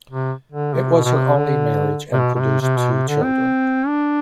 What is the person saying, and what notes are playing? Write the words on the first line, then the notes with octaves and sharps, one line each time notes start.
It was her only marriage, and produced two children.
C3
D3
C3
B2
B2
C3
D3
C3
B2
B2
C3
C3
B2
C3
D3
C4
D4